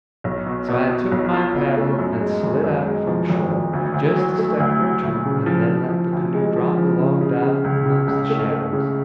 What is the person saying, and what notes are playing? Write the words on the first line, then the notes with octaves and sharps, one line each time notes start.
So I took my paddle and slid out from shore just a step or two, and then let the canoe drop along down amongst the shadows.
B1
B2
B2
B2
B1
F4
B2
A3
F#2
G#3
G#1
F#2
G#3
F3
G#1
G#1
D2
D2
F#3
A3
D2
F#3
D2
C#3
F3
F3
F3
D2
G#3
F3
F3
C#3
C#3
C#3
C#2
C#3
C#2
A3
A3
C#3